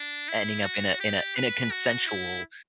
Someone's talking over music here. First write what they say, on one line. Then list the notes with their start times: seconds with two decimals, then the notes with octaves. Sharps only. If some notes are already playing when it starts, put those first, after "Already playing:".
ending up in a in a in a consensual,
Already playing: D4
0.28 E4
0.64 F#4
1.00 G4
1.36 B4
1.71 F#4
2.07 E4